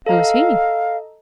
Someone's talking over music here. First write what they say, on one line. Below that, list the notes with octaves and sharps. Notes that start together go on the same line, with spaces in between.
"Who is he?"
A4 D#5 F5 A#5